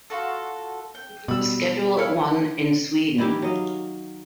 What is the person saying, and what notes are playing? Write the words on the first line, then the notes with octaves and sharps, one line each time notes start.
Schedule One in Sweden.
F4 F#4 A4
G5
B2 G3 B5 E6
E4 C#5 F5
D#3 E3 E4 G4
F#3 D#5 F5